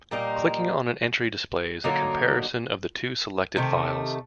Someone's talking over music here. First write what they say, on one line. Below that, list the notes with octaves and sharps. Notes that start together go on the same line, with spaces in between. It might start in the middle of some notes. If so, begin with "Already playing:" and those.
Clicking on an entry displays a comparison of the two selected files.
A#2 G3 A#3 D#4
D3 F#3 A#3 D#4
C3 D#3 A3